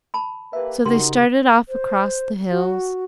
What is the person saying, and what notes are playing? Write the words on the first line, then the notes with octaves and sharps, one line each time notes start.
So they started off across the hills.
A5 B5
A#3 G4 B4 E5
C#3 D#4 F#4 G4 A#4 C6
C5
F#4